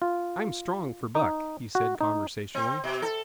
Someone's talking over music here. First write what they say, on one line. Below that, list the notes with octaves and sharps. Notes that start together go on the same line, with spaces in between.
"I'm strong for Buck," he said conversationally.
F4
D#4
F#4
D#4
C4
B2
A4